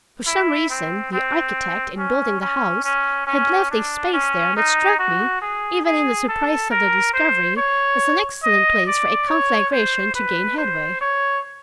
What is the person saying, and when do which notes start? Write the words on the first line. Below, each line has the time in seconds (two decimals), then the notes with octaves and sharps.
For some reason, the architect, in building the house, had left a space there that struck me, even in the surprise of the discovery, as an excellent place for a conflagration to gain headway.
0.27 E4
0.70 C4
1.13 C4
1.99 C#4
2.42 C#4
2.85 C#4
3.27 C#4
3.71 D4
4.14 C#4
4.57 D#4
4.99 F#4
5.42 G#4
5.86 G#4
6.29 A4
6.71 A#4
7.14 C5
7.57 C#5
8.43 D#5
8.87 D5
9.29 C#5
9.73 C5
10.15 B4
10.58 C5
11.01 C#5